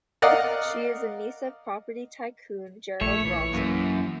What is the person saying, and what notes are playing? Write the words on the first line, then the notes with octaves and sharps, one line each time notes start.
She is the niece of property tycoon Gerald Ronson.
A#4 D5 D#5 F5 F#5
A#1 A3 C#5
E3
F#2 A#3